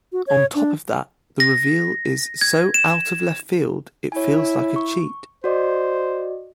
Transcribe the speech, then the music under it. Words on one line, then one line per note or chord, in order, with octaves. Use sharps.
On top of that, the reveal is so out-of-left-field, it feels like a cheat.
F#4
C#5
D4
A#6
G#6
E7
E4 C#5 G#5
C#6
F#4 C5 D5 D#5